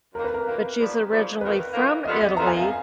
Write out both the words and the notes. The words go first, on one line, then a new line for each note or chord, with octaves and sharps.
but she's originally from Italy,
F#2 D#3 A#3 A#4
B4
A#4
F#2 D#3 A#3
G#2 F3 B3 D4
G#2 F3 B3 D4
F2 D#3 A#3 B4
F2 D#3 A#3
D#2 D3 F3 B3 D#5
D#5
D#2 D3 F3 B3 A#5
G#5
F5